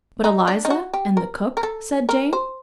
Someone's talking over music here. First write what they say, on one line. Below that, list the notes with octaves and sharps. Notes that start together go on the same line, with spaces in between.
'But Eliza, and the cook?' said Jane.
D#4
D4
D#4
F#4
G4
A#4
A#4
A4
A#4
C5